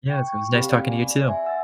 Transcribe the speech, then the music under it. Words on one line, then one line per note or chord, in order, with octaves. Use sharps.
Yes, it was nice talking to you too.
G5 C#6
C4 G4 F5 B5
D5
G#5
E5 G#5 C6
F#5 E6 A6